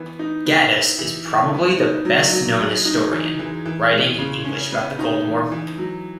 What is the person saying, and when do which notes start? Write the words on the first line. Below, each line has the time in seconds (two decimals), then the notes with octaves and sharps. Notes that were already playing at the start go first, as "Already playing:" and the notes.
Gaddis is probably the best known historian writing in English about the Cold War.
Already playing: E3 B3
0.19 D#4
0.46 B3
0.72 E4
0.98 E3
1.25 E3
1.53 B3
1.78 D#4
2.05 F#3
2.32 F#3
2.59 G#3
2.85 D#4
3.12 E3
3.39 E3
3.65 E3
3.92 G#3
4.19 C#3
4.45 C#4
4.72 B3
4.99 D#4
5.25 E3
5.52 E3
5.78 F#3